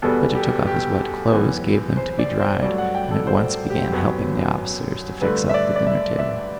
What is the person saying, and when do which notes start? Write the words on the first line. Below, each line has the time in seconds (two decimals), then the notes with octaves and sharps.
Petya took off his wet clothes, gave them to be dried, and at once began helping the officers to fix up the dinner table.
0.02 E2 B2 G3 B3 A4
0.35 G4
0.67 G4
1.32 F#2 E3 B3
1.97 C5
2.19 D5
2.40 C5
2.62 G2 F#3 A3 D5
2.78 F#5
2.95 G5
3.11 A4
3.27 C5
3.70 G4
3.92 F#2 F#3 B3
5.21 G2 D3 A3 B4
5.49 E5
5.54 D5
5.76 D5
5.87 E5
6.19 E5